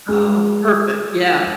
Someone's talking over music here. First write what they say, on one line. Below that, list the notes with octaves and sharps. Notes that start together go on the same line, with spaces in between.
Oh, perfect. Yeah.
G#3